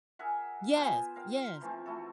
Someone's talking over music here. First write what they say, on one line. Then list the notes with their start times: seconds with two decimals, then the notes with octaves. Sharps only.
Yes. Yes.
0.19 G#4 A#4 E5 F#5
0.75 B3 F4 C5 G#5
1.16 A#4 F5 G5
1.61 E3 F3 A3 C4
1.86 A3 E4 F#4 A4